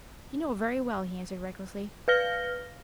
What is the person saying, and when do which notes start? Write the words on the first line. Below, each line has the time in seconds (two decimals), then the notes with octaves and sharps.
"You know very well," he answered recklessly.
2.08 B4 F5 F6 A#6 G7